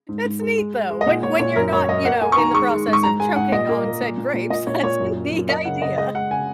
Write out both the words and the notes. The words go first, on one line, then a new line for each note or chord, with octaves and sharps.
It's neat though, when when you're not, you know, in the process of choking on said grapes, that's a neat idea.
G#2
G#2
G#3
G#3
G#3
G#3
D#5
A#2 F#5
A#2 C#5
A#2 C#5
F#2 A#4
F#2 C#5
F#2 D#5
A#3 F#5
A#3 G#5
C#6
D#3 A#5
G#3 C#6
G#3
G#2
C#6
G#3 A#5
G#3 G#5
G#2 F#5
A#2 D#5
A#3
A#3
A#2
A#2
A#2
A#2 D#5
A#2 C#5
A#2 C#5
F#2
F#3
F#2
A#3 D#5
C#3 F#5
C#3 D#5
G#3 D#5
G#3 F#5
C#3 G#5